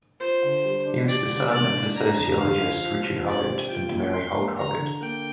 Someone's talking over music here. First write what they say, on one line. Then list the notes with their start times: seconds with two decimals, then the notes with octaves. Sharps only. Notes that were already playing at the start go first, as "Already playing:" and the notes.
He was the son of the sociologist Richard Hoggart and Mary Holt Hoggart.
0.20 F4 C5
0.43 D3
0.64 G3
0.85 D4
1.07 G4 D5
1.30 D3
1.51 A#3 D5
1.73 D4
1.95 D4 A#5
2.17 F2
2.38 D3 F5
2.60 F3
2.82 F3
3.04 F3
3.26 C4 D5
3.47 G4
3.70 F4 G5
3.91 A#2
4.13 F3 C6
4.35 A#3
4.57 D3 A#5
4.79 D3
5.01 A#3 G5